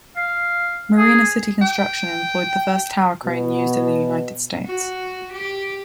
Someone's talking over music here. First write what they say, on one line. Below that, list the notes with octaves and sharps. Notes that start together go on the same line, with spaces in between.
Marina City construction employed the first tower crane used in the United States.
F5
G#4
G5
B2
F#4
G4